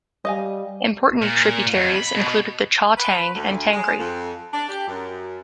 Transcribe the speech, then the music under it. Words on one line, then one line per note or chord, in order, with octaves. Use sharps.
Important tributaries include the Chautang and Tangri.
G3 D#5 F5 G#5
A#2
F2
B5
B2
B4
D2
G#3
F2
D4
G4
F#2